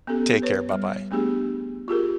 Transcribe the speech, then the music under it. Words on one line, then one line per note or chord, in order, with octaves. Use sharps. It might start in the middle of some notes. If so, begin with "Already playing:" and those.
Take care, bye-bye.
B3 C#4 G4 A4
B4 C#5
G3
A3 B3 D4 G4 G#4
F4 G4 G#4 A#4